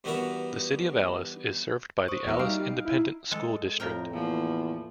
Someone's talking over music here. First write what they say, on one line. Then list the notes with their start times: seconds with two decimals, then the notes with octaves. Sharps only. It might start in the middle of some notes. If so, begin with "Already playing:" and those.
The City of Alice is served by the Alice Independent School District.
0.04 G2 E3 B3 F#4 A#4 E5
2.08 C5 C#6 D#6
2.26 E2 F#4 A#4 E5
2.39 G3 D#4 F5 D7
2.85 E4
3.31 G#3 A4
3.80 F2 A2 A#4 G5
4.11 E2 F3 A#3